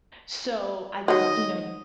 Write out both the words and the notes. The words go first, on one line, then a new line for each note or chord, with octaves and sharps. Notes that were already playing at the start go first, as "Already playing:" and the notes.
So I just, you know, y
D#3 F#3 D#5